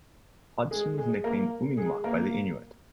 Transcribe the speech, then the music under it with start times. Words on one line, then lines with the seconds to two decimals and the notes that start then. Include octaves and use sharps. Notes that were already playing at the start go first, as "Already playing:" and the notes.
Hodgson was nicknamed "Umingmak" by the Inuit.
0.71 G#3 G#4
0.98 G#3 G#4
1.24 A#3 A#4
1.77 G#3 G#4
2.04 A#3 A#4